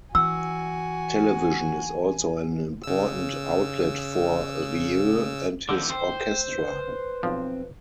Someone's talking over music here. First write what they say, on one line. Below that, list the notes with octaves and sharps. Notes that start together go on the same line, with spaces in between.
Television is also an important outlet for Rieu and his orchestra.
E3 F#4 G#5 E6
C#3 E6
F2 D3 D#3 D6 E6 G6
C5 G5
B4
B1 F3 C4